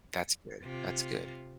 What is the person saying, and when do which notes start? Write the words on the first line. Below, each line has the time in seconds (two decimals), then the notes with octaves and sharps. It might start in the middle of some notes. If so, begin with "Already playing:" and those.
That's good. That's good.
0.63 C3 F4